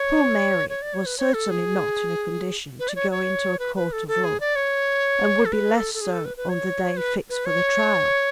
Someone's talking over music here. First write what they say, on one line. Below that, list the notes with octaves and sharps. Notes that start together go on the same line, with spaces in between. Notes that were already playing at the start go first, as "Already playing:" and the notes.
Poor Mary was certainly not in a condition to go into a court of law, and would be less so on the day fixed for the trial.
Already playing: C#5
C#5
D5
C#5
B4
C#5
A4
G#4
B4
D5
C#5
C#5
B4
B4
A4
A4
G#4
D5
C#5
A4
B4
A4
A4
G#4
A4
B4
B4
C#5
B4
B4
C#5